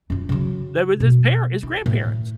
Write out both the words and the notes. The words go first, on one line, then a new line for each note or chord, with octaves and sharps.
That was his parent his grandparents.
F#2 F4
C#3 F#3
B2
E4
A2